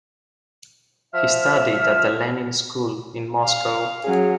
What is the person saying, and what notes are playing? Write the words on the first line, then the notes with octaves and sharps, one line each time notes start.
He studied at the Lenin School in Moscow.
F3 E5 F6
F5
F#3 C#4 G#4